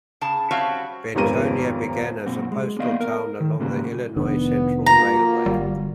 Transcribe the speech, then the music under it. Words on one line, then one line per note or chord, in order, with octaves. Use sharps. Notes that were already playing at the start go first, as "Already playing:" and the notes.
Bentonia began as a postal town along the Illinois Central Railway.
C#3 G#4 A5
G3 C4 C#4 F#4 E5 F5
D#1 G#1 F2 B3 A#4 D#7
F#2 A#2 C4 F#4
G#3
A#3 B3 D5 D#5 F5
A#4
D#3
G#2 C#3 G3 A#3 F#4
F1 D#3 B3 D4
A#3 F4 F#4 A#5
G1 G3